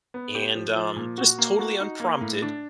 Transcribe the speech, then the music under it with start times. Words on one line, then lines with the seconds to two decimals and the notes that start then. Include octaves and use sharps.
And, um, just totally unprompted,
0.14 B3
0.35 G4
0.55 F3
0.76 F3
0.96 A#2
1.18 F#4
1.38 A#3
1.59 F#4
1.80 D#4
2.00 A#3
2.21 A2
2.42 D4